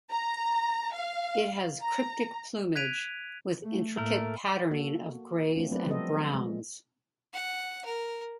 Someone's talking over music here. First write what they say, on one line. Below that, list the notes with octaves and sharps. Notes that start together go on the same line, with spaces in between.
It has cryptic plumage, with intricate patterning of greys and browns.
A#5
F5
A#5
F#6 G#6 B6 D7 D#7 F7
A3
A2 A3 A#3 A#4
A#3 F#4 A4
A3 C4 D4 F4
F#3 A3 B3 C4 B4 D5
F3 G3 C4 A4 C5 D#5
G#3
F#5
A#4